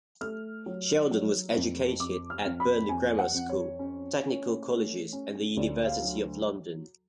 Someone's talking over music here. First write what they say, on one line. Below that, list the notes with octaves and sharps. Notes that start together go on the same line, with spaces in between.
Sheldon was educated at Burnley Grammar School, technical colleges and the University of London.
A3 F6
F#3
F#3
F2
F2 D6
F6
F2
B5
F2 G#5
F#5
F2
C#5
C#4
C#4
A3
C#4
D2 D5
F5
F#3